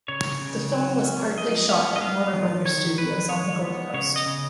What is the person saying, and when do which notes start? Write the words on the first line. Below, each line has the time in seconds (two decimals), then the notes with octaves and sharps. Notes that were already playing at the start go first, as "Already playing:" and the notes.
The film was partly shot at Warner Brothers studios on the Gold Coast.
0.08 C#3 C#5
0.41 C#3
0.73 F#3
1.05 C#4
1.37 F3 D#5
1.69 B3 F5
1.96 D#5
2.01 B3 F5
2.33 F3
2.65 D#3 C#5
2.98 D#3 B4
3.29 G#3 C#5
3.62 B3
3.94 C#3 C#5
4.16 D#5
4.26 C#3